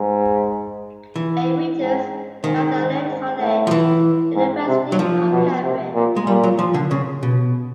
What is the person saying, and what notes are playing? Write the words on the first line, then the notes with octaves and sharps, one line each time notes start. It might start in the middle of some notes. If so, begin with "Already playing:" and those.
A. Richards, Magdalene College, University of Cambridge.
Already playing: G#2
E3
G#2
G#2 D#3
G#2
G#2
A2
F3
E3
G#2
C3
F#3
F3
B2
C3
A#2
G#3
A#2 G3
F#3
F3
D3
C#3
B2